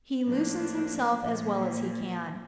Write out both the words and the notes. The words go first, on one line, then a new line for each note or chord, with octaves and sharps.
He loosens himself as well as he can.
A2 F3 A#3 D4
A#2 F3 A#3